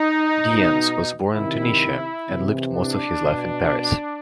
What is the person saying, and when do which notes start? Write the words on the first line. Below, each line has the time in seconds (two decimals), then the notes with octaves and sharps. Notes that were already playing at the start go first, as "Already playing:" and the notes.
Dyens was born in Tunisia and lived most of his life in Paris.
Already playing: D#4
0.40 B2
1.33 C3 D#3 E4
2.27 C3 E3
2.74 D4
3.20 B2